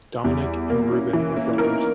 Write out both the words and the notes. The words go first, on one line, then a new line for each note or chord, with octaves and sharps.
Domenic and Reuben are brothers.
E2 G3
A#3
C#4 E4
E3
A#3 C#4
B3 D#4 A#4